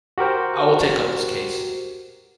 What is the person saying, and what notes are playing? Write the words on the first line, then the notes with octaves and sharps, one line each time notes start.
I will take up this case.
F#4 G4 A#4 C5